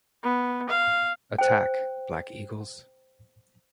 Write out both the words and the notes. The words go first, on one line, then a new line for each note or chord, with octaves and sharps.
Attack, Black Eagles!
B3
F5
C5 G5